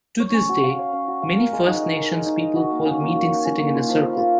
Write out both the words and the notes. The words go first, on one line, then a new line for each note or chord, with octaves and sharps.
To this day, many First Nations people hold meetings sitting in a circle.
C#5
C#4
F#4
F5
C#5
C#4
F#4
F5
A#4
G#3
D#4
D#5
A#4
G#3
D#4
D#5
F#4
A#3
C#4
A#3
F#4
A#3
C#4
A#3
F4
F3
A#3
F3